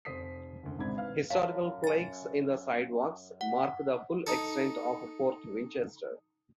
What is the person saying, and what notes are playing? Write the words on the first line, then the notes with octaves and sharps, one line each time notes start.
Historical plaques in the sidewalks mark the full extent of Fort Winchester.
F1 C5 D#6 B6 C7
F#1 D2
G#1 G#2 C3 D4 B5 G#6
B4 F5 F6
F#2 F5 A5
G#5 A6
F#5
D#4 A4